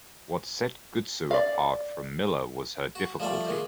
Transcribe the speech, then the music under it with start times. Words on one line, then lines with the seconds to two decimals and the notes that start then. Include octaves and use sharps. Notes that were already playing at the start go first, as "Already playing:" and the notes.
What set Gutsu apart from Miller was her difficulty.
1.31 D5 F5
2.95 F#4
3.20 F3 G3 A3 C5 D5
3.48 D#3 G#3